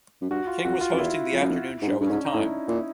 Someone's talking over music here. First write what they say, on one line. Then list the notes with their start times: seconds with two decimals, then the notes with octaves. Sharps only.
King was hosting the afternoon show at the time.
0.22 F#2
0.30 G2 F#4
0.47 F4
0.64 F2 F#4
0.81 F4
0.93 F2
0.98 E2 E4
1.33 F2
1.41 F#2
1.52 F2
1.82 G#2
1.88 G2
2.01 G2
2.06 C#4
2.11 G#2
2.15 D4
2.25 D#4
2.34 A2 E4
2.68 A#2 E4